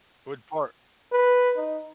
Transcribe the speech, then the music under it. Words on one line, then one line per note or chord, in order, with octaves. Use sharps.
What part
B4
D#4